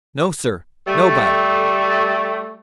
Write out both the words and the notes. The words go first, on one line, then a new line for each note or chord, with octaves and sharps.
"No, sir, nobody."
G3 A3